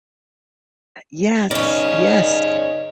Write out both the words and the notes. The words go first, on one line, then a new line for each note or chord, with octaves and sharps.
Yes, yes.
C#3 C#4 D#4 B4 D5